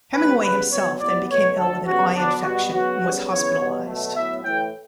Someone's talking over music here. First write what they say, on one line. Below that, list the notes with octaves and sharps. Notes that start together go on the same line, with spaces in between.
Hemingway himself then became ill with an eye infection and was hospitalized.
B2 G3 B3 B4
C#3 G3 B3 B4
B2 F#3 B3 C#5
A2 G3 B3 D5
B2 A3 C#5
D3 F#3 A3 A4
C#3 G3 B3 F#4
D3 F#3 B3 D4
B2 G3 B3 F#4
C#3 F#3 B3 F#4
C#3 G3 B3
C#3 E3 B3 C#5
B2 G3 B3
B2 F#3 A3
A2 F#3 B3 E5
A2 E3 A3 G5